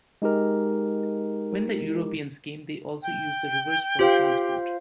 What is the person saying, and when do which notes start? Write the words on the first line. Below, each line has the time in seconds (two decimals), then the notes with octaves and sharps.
When the Europeans came they also used the rivers for transport.
0.22 G#3 D#4 G4 A#4
3.02 G5
3.99 F4 G4 C5 F5